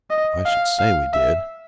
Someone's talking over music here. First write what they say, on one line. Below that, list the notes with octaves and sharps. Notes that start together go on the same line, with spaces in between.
"I should say we did?"
D#5
F5
F5
E5